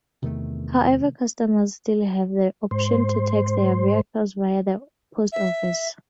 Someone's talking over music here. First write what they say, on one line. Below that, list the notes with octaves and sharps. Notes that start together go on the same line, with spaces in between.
However, customers still have the option to tax their vehicles via the Post Office.
E2 C3 D#3 A3
G#2 C5
E5